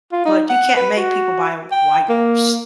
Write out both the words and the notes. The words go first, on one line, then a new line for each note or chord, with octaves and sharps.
but you can't make people buy wipers.
F4
D#4
F#5
B4
F#4
G5
A#3